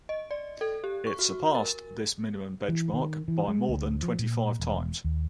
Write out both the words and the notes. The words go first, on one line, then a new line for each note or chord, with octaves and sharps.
It surpassed this minimum benchmark by more than twenty-five times.
D#5
D5
A4
G4
C#6
F#4
A#4
E3
D#3
E3
G#3
D2
F3
A#2
E1
D#2